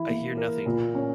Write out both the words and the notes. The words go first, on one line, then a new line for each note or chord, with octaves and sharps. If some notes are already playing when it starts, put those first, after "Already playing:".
I hear nothing!
Already playing: E3 E4
A#3
A#4
A#2
C#4